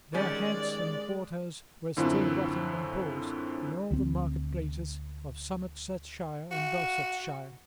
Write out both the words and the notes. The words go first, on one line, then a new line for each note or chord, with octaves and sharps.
Their heads and quarters were still rotting on poles in all the market places of Somersetshire and Dorsetshire.
D#3 G3 G#3 C#4 D5
F#2 A2 D3 C4 E4 F4
D2 C4
F#4